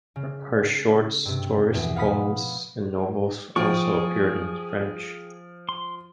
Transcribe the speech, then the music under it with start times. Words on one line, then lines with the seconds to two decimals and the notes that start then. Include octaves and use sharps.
Her short stories, poems, and novels also appeared in French.
0.16 C#3
1.25 G2 C3
1.72 A#1 E2 B2
1.96 F5 F#5 B5 D#6 B6
3.56 F3 G#4 G5 C#6
5.69 C6